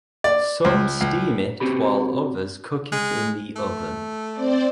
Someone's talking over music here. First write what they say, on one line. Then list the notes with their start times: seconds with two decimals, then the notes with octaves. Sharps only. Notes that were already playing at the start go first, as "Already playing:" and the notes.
Some steam it while others cook it in the oven.
0.24 D5
0.65 C#2
1.01 C#2
1.60 C4 F#4 G4 B5
2.92 G#3
3.56 A3
4.32 C4 C5 D5